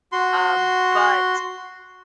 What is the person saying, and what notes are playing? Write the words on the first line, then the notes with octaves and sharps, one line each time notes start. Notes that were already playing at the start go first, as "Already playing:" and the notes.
Um, but
F#4 C6